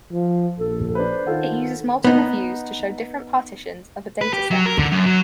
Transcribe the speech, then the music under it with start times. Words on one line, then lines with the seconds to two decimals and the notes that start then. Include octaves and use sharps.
It uses multiple views to show different partitions of a dataset.
0.12 F3
0.58 A#1 A4
0.95 D4 B4 C5
1.27 D#3 F4 A4 F#5
2.04 B3 D#4
4.21 B4
4.33 G4
4.51 F#3
4.66 A#4
4.78 D3
4.92 F#2
5.06 F#3